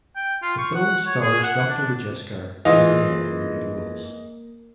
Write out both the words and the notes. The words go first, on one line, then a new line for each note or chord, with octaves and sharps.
The film stars Doctor Rajasekhar and Laya in the lead roles.
G5
F4
C#6
F#5
C#5
G#4
F#5
D4
E3 G#3 A#3 F4 A#4 D#5